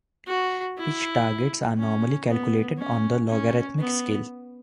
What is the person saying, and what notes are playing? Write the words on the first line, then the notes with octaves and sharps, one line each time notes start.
Pitch targets are normally calculated on a logarithmic scale.
F#4
E4
C#4
B3
C#4
C#4
B3